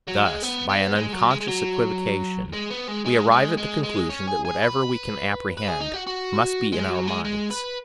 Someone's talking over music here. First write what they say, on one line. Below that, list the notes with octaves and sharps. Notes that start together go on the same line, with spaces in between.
Thus, by an unconscious equivocation, we arrive at the conclusion that whatever we can apprehend must be in our minds.
F#3
G#3
B3
B3
G#3
F#3
G#3
G#3
F#3
G#3
B3
G#3
G#3
G#3
G#3
G#3
C#4
G#4
G#4
B4
B4
G#4
D#4
F#4
F#4
G#3
F#3
G#3
G#3
B4